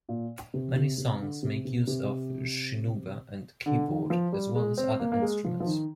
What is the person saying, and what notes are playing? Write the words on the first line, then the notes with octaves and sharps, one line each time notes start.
Many songs make use of shinobue and keyboard, as well as other instruments.
A#2
C3
C3
C3
D3
C3
C3
C3
D3
D#3
F3
G3
G#3
C4
A#3
A#3
G#3
F3
F3
D#3